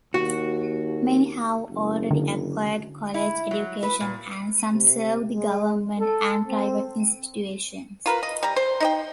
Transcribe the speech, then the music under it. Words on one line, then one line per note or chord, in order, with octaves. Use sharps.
Many have already acquired college education and some serve the government and private institutions.
D#2 F#4
F#1
D3
E4
F#3
B4
A#2
C3
G#3
A4
C4
F4 A#4 B4
D#5
G3 A#5
C5
D#4 D#5 G5